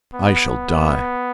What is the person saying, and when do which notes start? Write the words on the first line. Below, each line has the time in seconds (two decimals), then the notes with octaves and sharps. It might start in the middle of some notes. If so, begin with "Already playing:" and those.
I shall die!
0.14 B3